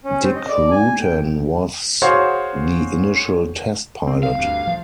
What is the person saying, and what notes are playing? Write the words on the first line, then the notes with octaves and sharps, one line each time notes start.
Dick Rutan was the initial test pilot.
C#4
C4
D#5
D5
G#5
G5
F#4 G#4 C5 C#5 F5
C4
F5
D2 G2
F3